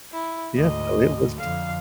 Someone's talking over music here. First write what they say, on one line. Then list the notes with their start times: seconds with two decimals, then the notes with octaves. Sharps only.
Yeah, so it was
0.12 E4
0.56 D2 G#2 D#5
1.39 F2 D3 F5